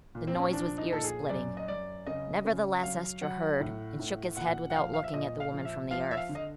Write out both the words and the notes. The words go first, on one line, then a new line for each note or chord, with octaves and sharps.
The noise was ear-splitting. Nevertheless Estra heard, and shook his head without looking at the woman from the Earth.
A#2
C4
C#4
F3 D4
D#4
A#2 A4
G#4
F#2 D5
D#5
F#2 D5
C#3 D#5
C#3
F#3 F5
F#3 F#5
A2
A2
A#2 F#5
F#5
F3 F5
F5
E5
A#2 D#5
F5
F3
E5
F3 F5
E5
F5
D3
D#5